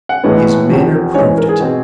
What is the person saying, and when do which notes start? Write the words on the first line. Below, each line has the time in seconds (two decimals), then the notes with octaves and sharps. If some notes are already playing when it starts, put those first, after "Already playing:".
His manner proved it.
0.09 F#5
0.23 A2 E3 G#3 B3
0.69 E2 C3 F3
1.14 G#2 E3 G#3 C#4 C#5
1.38 A#4
1.49 G#4
1.60 B2 G#3 C4